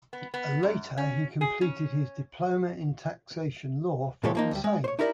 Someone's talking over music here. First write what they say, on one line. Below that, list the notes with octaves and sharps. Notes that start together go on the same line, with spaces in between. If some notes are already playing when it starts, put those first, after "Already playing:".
Later he completed his diploma in taxation law from the same.
B3
B3
F#2
C#4
G#4
C#4
A#2 C#3 G#3 G4 A4 C#5
F3 A#3 D#4
D2 G3
G#3
C5 C#5
D#4 E4 G4 A#4 C#5 D5